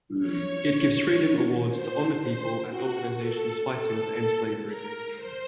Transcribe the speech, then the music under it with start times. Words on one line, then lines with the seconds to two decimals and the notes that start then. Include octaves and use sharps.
It gives Freedom Awards to honour people and organisations fighting to end slavery.
0.19 C#5
1.68 C5
2.18 C5
2.68 F#4
3.17 A4
3.67 A4
4.66 A#4
5.16 C5